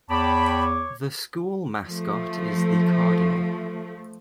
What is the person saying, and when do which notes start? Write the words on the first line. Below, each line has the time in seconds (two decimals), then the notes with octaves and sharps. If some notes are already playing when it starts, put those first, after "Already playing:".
The school mascot is the cardinal.
0.10 E2 C#5 G5 A5 B5 D6
1.86 F3 A3